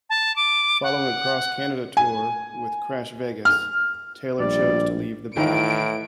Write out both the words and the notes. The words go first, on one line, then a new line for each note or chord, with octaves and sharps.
Following a cross-Canada tour with Crash Vegas, Taylor chose to leave the band.
A5
D6
F#5
G#5
F6
A#1 G3 D5
A2 D#3 E3 D#4 F4 D7